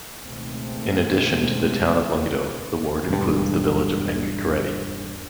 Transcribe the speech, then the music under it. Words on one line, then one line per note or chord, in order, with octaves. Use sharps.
In addition to the town of Longido, the ward includes the village of Engikareti.
C#2 B2 D#3 G#3 A3 C4
E1 G2